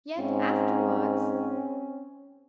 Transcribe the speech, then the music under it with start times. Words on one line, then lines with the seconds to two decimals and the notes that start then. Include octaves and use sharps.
Yet afterwards--?
0.18 G#2 C4 C#4